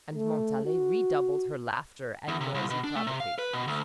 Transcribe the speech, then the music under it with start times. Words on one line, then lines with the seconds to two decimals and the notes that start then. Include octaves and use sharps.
And Montalais redoubled her laughter and noisy provocations.
0.15 A3
0.65 F#4
2.28 E2
2.40 C3
2.54 C2
2.70 B2
2.84 D4
2.95 A3
3.07 C3
3.20 F5
3.39 B4
3.53 B2
3.67 D2